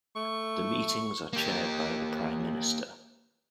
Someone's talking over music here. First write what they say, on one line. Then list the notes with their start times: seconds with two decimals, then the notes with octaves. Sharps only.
The meetings are chaired by the Prime Minister.
0.16 A3 C#6
1.33 A#3 G4